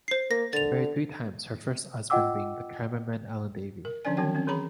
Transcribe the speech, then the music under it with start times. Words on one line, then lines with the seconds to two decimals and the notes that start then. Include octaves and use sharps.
She married three times, her first husband being the cameraman Allen Davey.
0.08 C5 C7
0.31 A#3 A#6
0.53 D3 A6 F7
2.10 F4 D#5 F#5 G5 D6 E6
3.85 A#4
4.05 D3 F3 C#4 D4 D5 G#5
4.17 D#3 F#3 C4 F#4 G5
4.35 C4 C#4
4.47 E3 G#4 C#5 A#5 B5